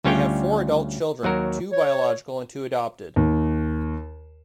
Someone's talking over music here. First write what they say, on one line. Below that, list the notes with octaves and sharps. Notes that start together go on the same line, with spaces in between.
They have four adult children, two biological and two adopted.
D2 G3 C#4 F4 C#5 G5
D#2 F#3 F#4 A#4
C#5
D#2